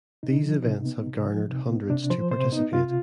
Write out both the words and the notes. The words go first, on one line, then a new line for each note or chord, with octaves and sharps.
These events have garnered hundreds to participate.
C3 D#4
F3
C3
B3
C3
F3
C3
B3
C3 D4
F3 C5
C3 C5
B3 D#4
C3 F4